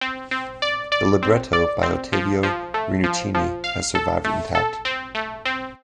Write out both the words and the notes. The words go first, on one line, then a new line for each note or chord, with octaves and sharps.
The libretto, by Ottavio Rinuccini, has survived intact.
C4
C4
D5
D5
C4
D5
C4
F3
F3
A3
F3
F3
F5
A4
A3
A4
C4
A3
C4